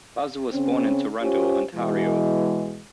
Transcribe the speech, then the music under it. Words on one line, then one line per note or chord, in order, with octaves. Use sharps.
Bauza was born in Toronto, Ontario.
C#3 C4 C#4
C#4 F4 G4 C5
B2 E3 G#3